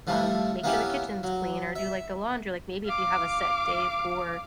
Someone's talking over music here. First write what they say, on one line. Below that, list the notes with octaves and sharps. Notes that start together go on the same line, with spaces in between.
um, make sure the kitchen's clean or do, like, the laundry. Like, maybe if you have a set day for
A2 F3 G3 A3
A#3 B3 C#4 E4 G4
F#3
E5
F5 D6